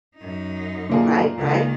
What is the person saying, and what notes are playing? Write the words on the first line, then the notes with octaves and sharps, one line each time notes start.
Right, right.
F#2 D#4
A#2 D3 A#3 G#4
C#2 D#3